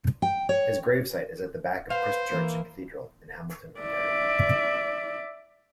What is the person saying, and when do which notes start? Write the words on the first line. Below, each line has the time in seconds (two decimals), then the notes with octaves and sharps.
His gravesite is at the back of Christ Church Cathedral in Hamilton, Ontario.
0.22 G5
0.49 C#5
1.90 B4 C5 F5
2.31 E3 A#3
3.80 D5 E5